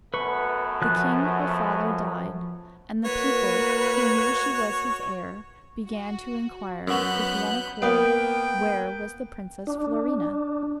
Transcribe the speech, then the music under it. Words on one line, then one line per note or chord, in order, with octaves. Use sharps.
The king her father died, and the people, who knew she was his heir, began to inquire, with one accord, where was the Princess Florina?
F#2 A3 B3 B4 C#6
F3 F#6
A#3 F#4 B4 C#5
F#4
F#2 B3 F#4 F#6 G6
A#3 B3 G5
D4